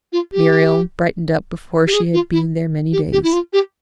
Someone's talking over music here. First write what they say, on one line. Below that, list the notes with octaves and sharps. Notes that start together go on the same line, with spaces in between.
Muriel brightened up before she had been there many days.
F4
G4
G4
G#4
F4
E4
G4
G4
E4
F4
G4